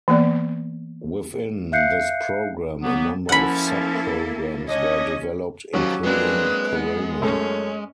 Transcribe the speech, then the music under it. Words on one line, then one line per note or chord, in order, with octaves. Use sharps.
Within this program a number of sub-programs were developed including Corona.
E3 A#3 B3 D5
E5 F5 F#6 G6 C7 C#7
F#3 A#3 B3
F3 A#3 C#4 E4 A4 F#5 B5
C#4 D4 C#5 D#5
D#3 F3 F#3 C#4 G4
G#3 A#3 C4 D4 B4
B3
F#2 A3 C#4 C#5